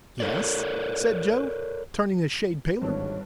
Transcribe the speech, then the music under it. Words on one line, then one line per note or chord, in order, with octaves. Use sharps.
"Yes?" said Joe, turning a shade paler.
A4 A#4 C#5 D5
G#1 G2 E3 D4 C#5